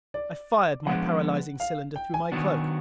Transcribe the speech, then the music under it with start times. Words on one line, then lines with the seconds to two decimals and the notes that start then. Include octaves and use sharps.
I fired my paralyzing cylinder through my cloak.
0.14 D5
0.87 F3 G#3 B3 D4 F#5
1.60 F5
1.96 G5
2.14 G#5
2.32 D#3 F#3 B3 D4 F#4